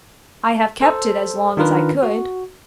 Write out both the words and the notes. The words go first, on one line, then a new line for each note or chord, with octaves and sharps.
I have kept it as long as I could.
A4 C5
D#3 D4 F4 A#4 B4
F#4